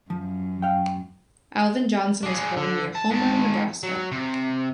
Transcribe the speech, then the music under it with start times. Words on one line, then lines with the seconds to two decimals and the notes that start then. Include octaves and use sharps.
Alvin Johnson was born near Homer, Nebraska.
0.10 F#2 F3
0.62 F5 G5
2.23 D4 G#4
2.56 D3
2.95 A5
3.10 G#2 A5
3.83 F#3
4.12 C3